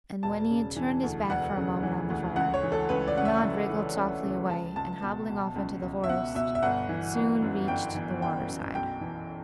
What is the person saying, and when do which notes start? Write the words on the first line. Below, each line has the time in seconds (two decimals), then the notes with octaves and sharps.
And when he had turned his back for a moment on the fire, Nod wriggled softly away, and, hobbling off into the forest, soon reached the water-side.
0.23 E1 A5
0.50 C#3
0.76 E3
1.03 D2
1.29 E1 F#5
1.57 C#3
1.83 E3
2.10 D2
2.36 C#2 F#5
2.54 C#5
2.63 E3
2.72 A4
2.89 C#2 B4
3.08 D5
3.17 C#3 F#5
3.25 E5
3.42 C#2
3.70 E3
3.95 C#2
4.23 C#3
4.50 C#2 A5
4.76 C#2 A5
5.03 B2
5.29 B2
5.56 C#2
5.82 C#2
6.04 E5
6.09 B2 F#5
6.35 B2 E5
6.55 E5
6.63 G1 F#5
6.89 E3
7.15 G1
7.42 F#2
7.68 G1 G5
7.95 E3
8.22 G1 G5
8.48 F#2
8.75 B1 G5
9.01 E3